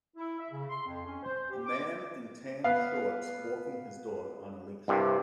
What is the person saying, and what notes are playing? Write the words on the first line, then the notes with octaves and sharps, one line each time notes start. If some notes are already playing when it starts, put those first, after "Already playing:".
A man in tan shorts walking his dog on a leash.
E4
E5
C#3
C6
F2
C#4
C5
G4
D6
B3 F5
C2 G2 C3